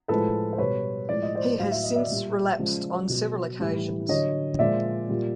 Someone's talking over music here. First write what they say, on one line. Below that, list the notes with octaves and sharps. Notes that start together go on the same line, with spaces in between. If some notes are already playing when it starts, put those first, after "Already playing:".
He has since relapsed on several occasions.
A2 F3 G#3 A4 B4
C5
B2 G3 B4 C#5
A2 F3 G#3 D5
D#5
C5 D5
A2 F#3 F5
E5
D#5
D5 E5
A#2 G3
C#3 F3 G#3
B2 F#3
A2 E3 G3
D3 F#3 C#5 D#5
A#2 F3 G#3 D5 E5
A#2 G3